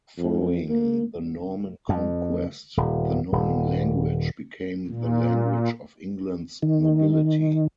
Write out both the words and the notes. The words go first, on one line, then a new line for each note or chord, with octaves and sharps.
Following the Norman conquest, the Norman language became the language of England's nobility.
F2
A#3
F2
D#1
D#1
A#2
D#3